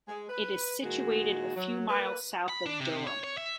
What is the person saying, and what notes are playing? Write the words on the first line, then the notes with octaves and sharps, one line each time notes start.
It is situated a few miles south of Durham.
G#3
B4
A#2 D#3 G#3 F#4
F#3
A#3 B4
B5
D4
C3
C#5
C#5
E5